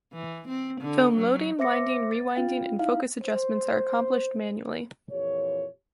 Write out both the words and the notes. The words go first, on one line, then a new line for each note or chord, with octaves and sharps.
Film loading, winding, rewinding, and focus adjustments are accomplished manually.
E3
C4
D3
F#3
C5 E5 D6 A#6 C#7
A6
C#4 F4 F5 G5
D#4 E4 E5 F5
C5
F2 A#2 E3 G4 C#5